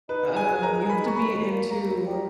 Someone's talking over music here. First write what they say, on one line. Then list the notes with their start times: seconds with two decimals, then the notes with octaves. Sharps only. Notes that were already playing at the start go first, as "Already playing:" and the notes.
um, you have to be into
0.09 D#4 B4
0.27 G#4
0.36 G#5
0.45 G#4
0.63 D#3 A#5
0.81 G#4
0.90 B5
0.99 D#3
1.07 C#6
1.16 D#2 B5
1.34 D#2
1.52 A#3
1.69 A#3 A#5
1.87 D#2
2.05 G3